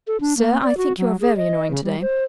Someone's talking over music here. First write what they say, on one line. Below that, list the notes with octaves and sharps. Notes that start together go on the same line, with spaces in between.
"Sir, I think you are very annoying to-day."
A4
D4
A#3
D5
F#4
F#3
G#4
D#5
C#3
G3
C5